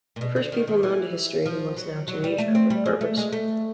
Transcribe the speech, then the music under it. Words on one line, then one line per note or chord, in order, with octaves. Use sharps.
The first people known to history in what is now Tunisia were the Berbers.
A#2
B2
D3
D#3
D#3
E3
F3
F#3
F#3
G3
A3
C4
G3
G#3
A3
G#3
A3